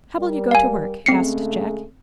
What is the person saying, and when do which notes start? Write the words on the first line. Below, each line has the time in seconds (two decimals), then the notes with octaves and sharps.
"How will you go to work?" asked Jack.
0.17 G3 A#4
0.51 F5 G#5
1.06 C#3 G#3 A3 C4 C7 C#7